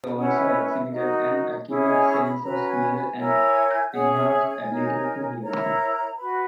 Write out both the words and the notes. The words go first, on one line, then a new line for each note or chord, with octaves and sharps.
They also exhibited an acute sense of smell and an enhanced ability to hear.
C#4 E4 B4 F#5
D#5
E5
E5
D#4 F#4 A#4 D#5
C#4 E4 G#4
D#5
C#6
B5
C#4 F#4 B4 A#5
G#5
G#5
E4 A#4 C#5 G#5
C#4 G#4 C#5 F#5
E5
E5
G#5
D#4 A#4 C#5
E4 A#4 C#5 A#5
F#4 B4 B5